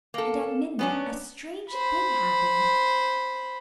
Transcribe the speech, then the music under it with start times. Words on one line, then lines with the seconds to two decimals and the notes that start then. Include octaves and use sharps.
And at midnight a strange thing happened.
0.14 A#3 A4
0.79 B3 C#4 D4
1.71 C5 B5